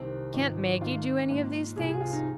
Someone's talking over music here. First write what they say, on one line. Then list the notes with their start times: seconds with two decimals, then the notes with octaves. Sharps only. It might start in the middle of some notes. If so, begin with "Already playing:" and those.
"Can't Maggie do any of these things?"
Already playing: C2 C3 D#3 C4
0.33 G#1 G#2 F3
0.81 G#1 G#2 F3 F4
1.29 A#1 G#2 F3
1.76 C2 C3 F3 G#4
1.89 G#4
2.01 F4
2.13 D#4